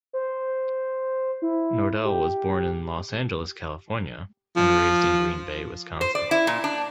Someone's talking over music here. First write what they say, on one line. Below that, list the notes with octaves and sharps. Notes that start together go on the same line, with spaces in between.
Nordell was born in Los Angeles, California and raised in Green Bay, Wisconsin.
C5
E4
G4
F3
C5
D5
E4
A#2
D4